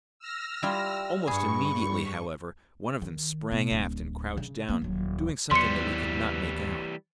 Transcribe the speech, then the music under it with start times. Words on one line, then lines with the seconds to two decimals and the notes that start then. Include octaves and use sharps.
Almost immediately, however, one of them sprang aft and crouched down, doing something that we could not make out.
0.19 E6 F6 A#6
0.63 G3 E4 F4 G5
1.27 G2 G#4 B5 C#6
3.02 D#3
3.51 B2 B3
3.71 D1 D2
4.37 C#3
4.68 A#3 B3
4.82 D#1 F#3
5.51 D#2 E3 F#3 G3 B3 C6 C#7